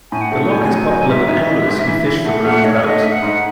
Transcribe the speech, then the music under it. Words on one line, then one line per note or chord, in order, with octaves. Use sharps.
The loch is popular with anglers who fish for brown trout.
A2 G#5
F#5
A3
F#5
A2 G#5
F#3
G#5
F#3
G#2 E5
D#4
E3
G#2
E3
E3
A3 F#5
A3 F#5
D#4 C#5
A3 D#5
D#4 E5
F#5
G#2